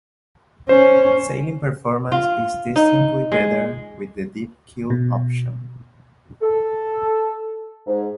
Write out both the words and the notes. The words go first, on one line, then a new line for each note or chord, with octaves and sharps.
Sailing performance is distinctly better with the deep keel option.
C#4 C5
F4
D#4
G#3
B2
A4
G#2